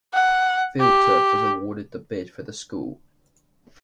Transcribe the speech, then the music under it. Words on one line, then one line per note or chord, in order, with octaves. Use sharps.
FieldTurf was awarded the bid for the school.
F#5
G4